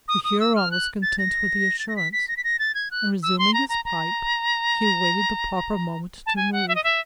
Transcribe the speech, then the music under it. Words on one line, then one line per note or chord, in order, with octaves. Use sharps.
The Huron was content with the assurance, and, resuming his pipe, he awaited the proper moment to move.
D#6
D#6
E6
F6
F#6
A6
A#6
A6
A#6
B6
B6
A#6
B6
A#6
A6
G#6
F#6
E6
C6
A#5
A#5
A#5
A5
G#5
F#5
E5
D#5
E5